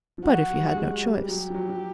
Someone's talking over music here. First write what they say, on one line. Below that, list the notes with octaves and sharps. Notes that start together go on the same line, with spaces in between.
"But if he had no choice?"
F3
F#3 F#4
G3
G#3
G3
F#3 G4
F3
F#3
F#3